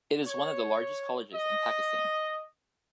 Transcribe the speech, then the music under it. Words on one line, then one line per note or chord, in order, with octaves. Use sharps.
It is one of the largest colleges in Pakistan.
C#5
D#5